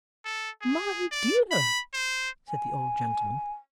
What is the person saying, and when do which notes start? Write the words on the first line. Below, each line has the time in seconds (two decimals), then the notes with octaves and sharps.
'My dear,' said the old gentleman.
0.25 A4
0.62 G#4
1.11 D5
1.51 B5
1.93 C5
2.49 G#5